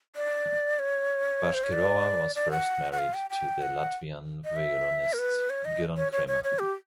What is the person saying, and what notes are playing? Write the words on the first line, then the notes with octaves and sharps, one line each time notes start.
Bashkirova was first married to the Latvian violinist Gidon Kremer.
D5
C#5
C5
C#5
D5
D5
F#5
F#5
F5
G5
G5
F#5
D#5
E5
A#4
B4
C#5
D#5
C#5
C#5
C#5
C#5
G4